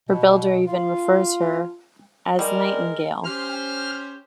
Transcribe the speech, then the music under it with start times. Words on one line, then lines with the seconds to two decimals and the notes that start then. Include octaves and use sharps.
Her builder even refers to her as nightingale.
0.09 B2
0.67 F4
2.39 G3 G#3 A#4
3.25 C#4 G4 C5 F6